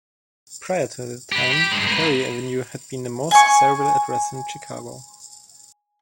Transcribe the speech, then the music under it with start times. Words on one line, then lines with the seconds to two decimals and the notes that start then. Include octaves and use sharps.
Prior to that time, Prairie Avenue had been the most desirable address in Chicago.
1.32 G4 B4
1.53 G4
1.71 G2 G#3
1.87 A#3 B4
3.31 G#5 C#6